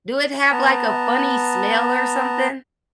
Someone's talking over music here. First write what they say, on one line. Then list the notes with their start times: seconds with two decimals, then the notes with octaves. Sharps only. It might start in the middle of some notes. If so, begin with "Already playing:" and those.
do it have, like, a funny smell or something?
0.52 B3 A5 A#5